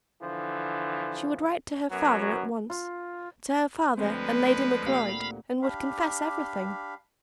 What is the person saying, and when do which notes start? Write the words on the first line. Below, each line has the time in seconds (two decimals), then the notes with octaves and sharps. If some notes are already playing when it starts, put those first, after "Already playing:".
She would write to her father at once,--to her father and Lady Macleod,--and would confess everything.
0.22 D3 E3 F3
1.91 F#2 F#3 B3
2.70 F4
3.97 D2 F3 G#3 C4 B4
4.86 A#2 G4 F5 F#5 B5
5.62 D4 G4 F5 B5